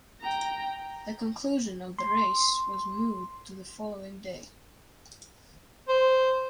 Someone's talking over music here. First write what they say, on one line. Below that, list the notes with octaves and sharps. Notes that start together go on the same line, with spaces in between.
The conclusion of the race was moved to the following day.
G5 A#5
C6
C5